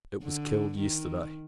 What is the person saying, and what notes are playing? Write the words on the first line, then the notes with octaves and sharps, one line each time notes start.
It was killed yesterday.
D3
D#3